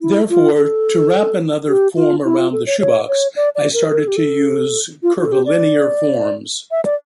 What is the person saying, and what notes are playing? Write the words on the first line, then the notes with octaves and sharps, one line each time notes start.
Therefore, to wrap another form around the shoebox, I started to use curvilinear forms...
E4
F4
A4
G4
F4
E4
F4
A4
C#5
C#5
C#5
D5
D5
A#4
A#4
A4
G4
A4
F4
F4
A4
G4
D5
E5
D5